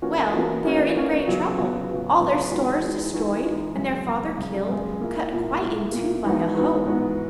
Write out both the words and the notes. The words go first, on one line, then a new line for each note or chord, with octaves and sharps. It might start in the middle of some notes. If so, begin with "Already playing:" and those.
"Well, they are in great trouble; all their stores destroyed, and their father killed--cut quite in two by a hoe."
E3 A#3 C#4 F#4
E3 A#3 C#4 F#4
E3 A#3 C#4 F#4
E3 A#3 C#4 F#4
C#3 F#3 B3 F#4
C#3 F#3 B3 F#4
C#3 F#3 B3 F#4
C#3 F#3 B3 F#4
E3 G#3 D#4 F#4
E3 G#3 D#4 F#4
E3 G#3 D#4 F#4
E3 G#3 D#4 F#4
F#2 C#3 G#3
F#2 C#3 G#3
F#2 C#3 G#3
F#2 C#3 G#3
A#2 A#3 E4
A#2 A#3 E4
A#2 A#3 E4
A#2 A#3 E4
G#2 E3 B3 D#4 F#4
G#2 E3 B3 D#4 F#4
G#2 E3 B3 D#4 F#4